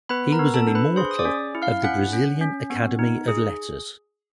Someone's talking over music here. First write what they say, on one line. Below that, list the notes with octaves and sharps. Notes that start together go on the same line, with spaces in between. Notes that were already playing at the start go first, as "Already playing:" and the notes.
He was an "immortal" of the Brazilian Academy of Letters.
B3 B4 B5
A#4 A#5
B3
A4 A5
D4
B4 B5
G#4 C5 C6
D#6
D5 D6
C#4
E4
F5 F6
C#4 F#5 F#6
C#4
C#4
B3
D#4
G#4